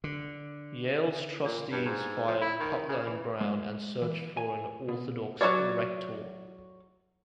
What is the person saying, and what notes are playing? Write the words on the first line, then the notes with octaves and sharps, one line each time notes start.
Yale's trustees fired Cutler and Brown, and searched for an orthodox Rector.
D3
A#2
G2
G#2
F3
E4
D#3
C#3
E3
G#3
E3
G#5
B2
F#3 C4 F#4 C#5 D5